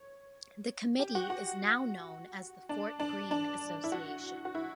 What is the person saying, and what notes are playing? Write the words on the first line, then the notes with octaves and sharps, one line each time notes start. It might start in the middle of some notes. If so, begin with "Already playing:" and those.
The Committee is now known as the Fort Greene Association.
Already playing: C#5
G4
F#4
F#4
D4
D4
D4
E4
F#4
F#4
E4